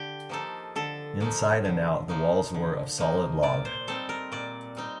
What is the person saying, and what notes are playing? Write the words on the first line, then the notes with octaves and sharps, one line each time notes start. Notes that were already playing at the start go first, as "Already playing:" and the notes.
Inside and out, the walls were of solid log.
Already playing: D3 G4
F3 A#3 D#4 A4
D3 A4
F3 A#3 D#4
D3
F3 A#3 D#4
D3
F3 A#3 D#4
A#2 D5
C5
G3 C4 D#4 A4
A#4
A#2 D5
G3 C4 D#4